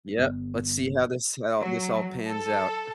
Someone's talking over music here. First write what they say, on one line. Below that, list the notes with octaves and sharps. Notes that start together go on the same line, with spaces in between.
Yep. Let's see how this how this all pans out.
G1 B3
F#3
A4